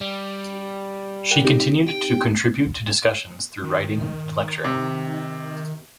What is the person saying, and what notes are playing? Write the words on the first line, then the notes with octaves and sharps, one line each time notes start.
She continued to contribute to discussions through writing and lecturing.
G3
A#4 F#5 G5
C4 D#4 G4
G5
D#3
C3